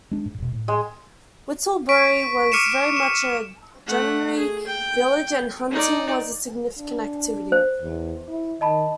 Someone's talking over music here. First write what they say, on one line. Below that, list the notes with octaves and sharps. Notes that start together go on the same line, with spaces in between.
Whittlebury was very much a 'gentry village' and hunting was a significant activity.
G#3 D4
G#2
E1 B2
A2
G#3
C#6 B6 D7
D6 F6 C#7 D#7 E7
E7
A3 F#5
G#4
G5
D#4 D5
D4
C5
E2
E4
D#3 D#5 A5 B5